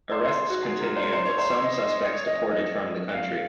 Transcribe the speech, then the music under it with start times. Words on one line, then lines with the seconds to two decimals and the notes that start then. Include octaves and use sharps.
Arrests continued, with some suspects deported from the country.
0.12 C5
0.24 C5
0.37 G#4
0.50 F#4
0.63 G#4
0.80 A#4
0.96 C5
1.13 C5
1.25 C#5
1.38 C5
1.51 C#5
1.64 D#5
1.88 D#5
2.13 C#5
2.27 D#5
2.38 D#5
2.51 D#5
3.14 F5